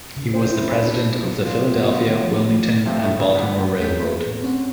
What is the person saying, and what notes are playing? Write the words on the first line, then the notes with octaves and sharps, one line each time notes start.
He was the President of the Philadelphia, Wilmington and Baltimore Railroad.
C#3
C5
E4
C#4
D4
F#3
F4
B3
F4
D#3
F3
C3 F3 A3 C4
A2 A3
C#3
A#2 D3 G3 B3
B3
E2 A3 G#4 A4 G6 B6
A#3
A2
C4 C#4 F#5